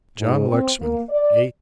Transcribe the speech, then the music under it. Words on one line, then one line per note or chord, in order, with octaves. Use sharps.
John Lexman--A.
G#2
C4
A#3
D5